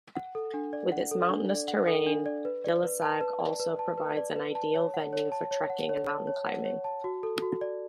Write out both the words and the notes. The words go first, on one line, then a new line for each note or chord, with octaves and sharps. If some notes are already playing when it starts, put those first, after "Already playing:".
With its mountainous terrain, Dilasag also provides an ideal venue for trekking and mountain-climbing.
F#5
A4
D4
D5
F#5
A4
D4
D5
F#5
A4
D4
D5
B4
D5
B4
A5
B4
D5
B4
A5
B4
D5
B4
A5
C#5
F#5
C#5
A5
C#5
F#5
C#5
A5
C#5
F#5
C#5
A5
F#4
A4
F#4
D5